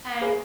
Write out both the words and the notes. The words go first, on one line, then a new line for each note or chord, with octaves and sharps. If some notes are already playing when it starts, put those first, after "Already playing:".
And I
G#4 B4